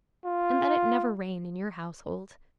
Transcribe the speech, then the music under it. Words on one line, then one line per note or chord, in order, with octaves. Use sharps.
And let it never rain in your household.
F4